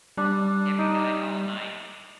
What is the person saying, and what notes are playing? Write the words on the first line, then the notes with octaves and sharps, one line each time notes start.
a every night, all night.
G3 D4
D#4